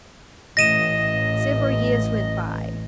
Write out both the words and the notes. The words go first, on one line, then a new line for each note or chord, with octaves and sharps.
Several years went by.
A1 D#5 A#6 D#7 E7